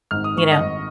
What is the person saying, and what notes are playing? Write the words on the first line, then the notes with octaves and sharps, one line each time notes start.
you know,
G#1 G#2 D#3 F6
D#6
C#6
D#5 D#6
G#1 G#2 D#3